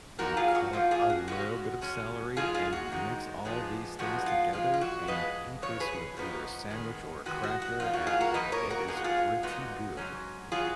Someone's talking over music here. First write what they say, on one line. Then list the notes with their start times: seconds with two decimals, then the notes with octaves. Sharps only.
You cut up a little bit of celery, and you mix all these things together, and you ge eat this with either a sandwich or a cracker, and it is pretty good.
0.19 A#2 F3 A#3 D#4 F#4 A#4
0.37 F4 G#4
0.55 F#4
0.73 A#2 F3 A#3 D#4 F4
0.91 F4 G#4
1.10 F#4
1.28 B2 G#3 C#4 F#4
1.82 B2 G#3 C#4
2.36 G#2 D#3 G#3 D#4 F4 G#4
2.54 F4 G#4
2.73 F#4
2.90 G#2 D#3 G#3 D#4
3.45 A#2 F3 G#3 B3 D#4
3.99 A#2 F3 G#3 B3 D#4 F#4
4.26 F4
4.53 F2 F3 G#3 F4
4.74 F4
4.81 F#4
5.08 F2 F3 G#3 B4 D#5
5.62 F2 C#3 C#5
5.80 G#4 B4
6.17 F2 C#3 F3 B3 D#4
6.70 D#3 G#3 B3
7.26 D#3 G#3 B3 F#4
7.43 F#4
7.62 F#4
7.80 F2 F3 A#3 D#4 F4
7.93 F#4
8.07 F4 G#4
8.21 F#4 A#4
8.34 F2 F3 A#3 D#4 B4 D#5
8.52 A#4 C#5
8.70 F#4 A#4
8.88 A#2 G#3 B3 D#4 G#4
8.97 F#4
9.04 F4 G#4
9.43 A#2 G#3 B3 D#4 F#4
9.97 G#2 F#3 C#4
10.52 F#3 C#4 F4 G#4